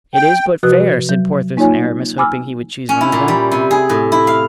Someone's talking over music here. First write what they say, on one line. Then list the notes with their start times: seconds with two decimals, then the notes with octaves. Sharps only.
"It is but fair," said Porthos and Aramis, hoping he would choose one of them.
0.15 G5
0.63 C3 F3 F#4 B4 D#6 F#6
1.09 F#3
1.57 A#3 D#4 F4 C#5 G#5
2.18 G#5 B5 D6 E6 F6
2.89 C#4
3.01 E4
3.12 A#2
3.28 G3
3.52 C3
3.71 G#4
3.89 A2
4.12 E4
4.27 F5